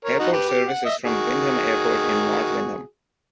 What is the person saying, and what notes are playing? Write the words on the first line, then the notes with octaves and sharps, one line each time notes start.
Airport service is from Windham Airport in North Windham.
A#4 C#5
D#4 F#4 D#5
G4 B4
G4
F#5
D#5 E5
D#3 F#4 G#4